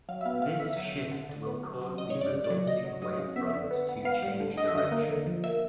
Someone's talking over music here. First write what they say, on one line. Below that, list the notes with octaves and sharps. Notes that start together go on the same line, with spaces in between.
This shift will cause the resulting wavefront to change direction.
F#3 F5
E5
B3 F5
B3 F5
D3 E5
F#3
D3
D3
D3
B3
F#3
F#3
C#3 D#5
C#3 C#5
D5
C#3
D5
F#3
C#3 D#5
F#3
F#3 D#5
C#3
B3 E5
D3
B3
B3
B3 F5
G3
D3
D3 D#5
E5
D3 D#5
A#3
D3
F3
A#3 E5